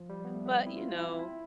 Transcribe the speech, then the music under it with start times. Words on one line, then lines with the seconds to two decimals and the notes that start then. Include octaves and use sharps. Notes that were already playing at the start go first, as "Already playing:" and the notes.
but you know,
Already playing: F3
0.09 G3
0.25 B3
0.35 A3
0.46 B3
0.56 C4
0.67 E4
0.77 F4
0.88 F4
0.99 E4
1.09 C4
1.19 E4